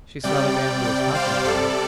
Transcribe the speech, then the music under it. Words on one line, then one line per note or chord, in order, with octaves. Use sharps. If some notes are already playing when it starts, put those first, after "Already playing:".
She saw the man who was talking to me.
C3 G3 D5 G5
D5 G5
C5 F5
C3 G3 A4 D5